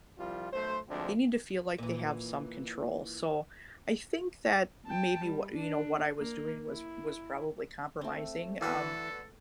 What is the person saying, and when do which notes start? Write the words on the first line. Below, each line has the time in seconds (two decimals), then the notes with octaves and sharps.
they need to feel like they have some control, so I think that maybe what, you know, what I was doing was was probably compromising, um,
0.18 C2 F3 G3 F4
0.52 B1 A3 C5
0.89 D2 F3 G#3 C4 D4
1.78 A#2 E3
4.86 G5 A5
5.24 G3
5.55 D4
6.17 A#3
6.69 E4
8.01 A3 C4
8.61 D3 E3 F#4 A4 B4